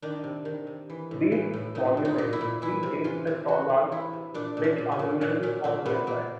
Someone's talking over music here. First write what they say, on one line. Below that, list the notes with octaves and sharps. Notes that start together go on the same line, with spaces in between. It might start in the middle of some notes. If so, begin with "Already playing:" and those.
These monuments pre-date the taulas, which are usually found nearby.
D#3 D4
C3
D#3
C3
E3
A2
E3
A2
A#2 D#4
A#2
D#4
A#2
E4
A#2
E3 E4
C3
E3 F4
C3
E3 F#4
C3
E3 E4
C3
A#2 D4
A#2
C#4
A#2
C#4
A#2
A#2 C#4
A#2 C#4
A#2 C4
A#2 B3
A#2 A#3